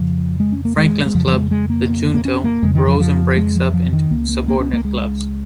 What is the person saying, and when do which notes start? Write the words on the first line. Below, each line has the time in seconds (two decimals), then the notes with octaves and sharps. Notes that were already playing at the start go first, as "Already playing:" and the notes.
Franklin's club, the Junto, grows and breaks up into subordinate clubs.
Already playing: F2 C#3 F3
0.40 G#3
0.52 C#4
0.65 A#3
0.77 G#3
1.06 G#3
1.14 F2 C#3 F3
1.27 F3
1.33 G#3
1.51 G#3
1.70 A#3
2.14 A#3
2.25 C#4
2.44 A#3
2.62 F2 C#3 G#3
2.75 D#3
2.88 F3
3.00 F3
3.37 G#3
3.55 F3
3.74 F3
3.93 D#3
4.11 C#2 C#3 A#3
4.29 A#3
4.48 A#3
4.60 C#4
4.73 A#3
4.85 G#3